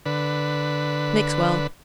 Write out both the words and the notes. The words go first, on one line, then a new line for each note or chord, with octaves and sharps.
Mix well.
D3 B4